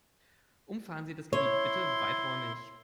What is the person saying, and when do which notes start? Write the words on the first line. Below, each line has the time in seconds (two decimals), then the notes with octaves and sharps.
Umfahren Sie das Gebiet bitte weiträumig.
1.33 E4 C#5 C6